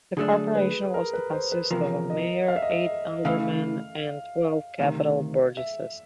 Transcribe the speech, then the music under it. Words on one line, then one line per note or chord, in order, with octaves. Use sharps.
The corporation was to consist of a mayor, eight aldermen and twelve capital burgesses.
D3 F#3 A3 D4 G#4
B4
A#4
B4
C5
B4
E2 C3 F3 A#4
D#5
F5
E5
D#5
E5
C#3 E3 A3 F5
D2 C3 D#3
E5